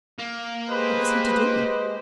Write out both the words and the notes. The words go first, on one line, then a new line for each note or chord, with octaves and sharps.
What was he to do?
A#3
G#3 G4 B4 C5 D#5